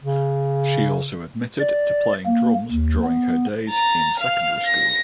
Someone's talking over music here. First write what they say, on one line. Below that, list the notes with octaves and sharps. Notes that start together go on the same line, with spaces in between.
She also admitted to playing drums during her days in secondary school.
C#3
D5
A#3
D#2
B3
A#5 A6
F5 F6
A#6